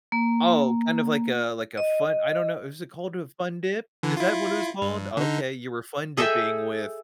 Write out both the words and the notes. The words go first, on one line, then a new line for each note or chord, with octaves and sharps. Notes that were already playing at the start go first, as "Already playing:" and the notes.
Oh, kind of like a like a fun I don't know, is it called a fun dip? Is that what it was called? Okay, you were fun dipping with
A#3
D#5
D3 E3
E4 F4
G2
D3 D#4
G#4 A4 D#5 E5 G5